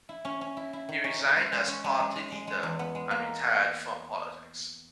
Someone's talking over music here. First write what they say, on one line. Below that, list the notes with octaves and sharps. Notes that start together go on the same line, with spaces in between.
He resigned as party leader and retired from politics.
E4
C#4
C#4
E4
E4
D#3
C#4
C#4
G#3
G#3
C#4
G#3
G#3
G#3
G#3
G#3
E2
B3
G#3
A#3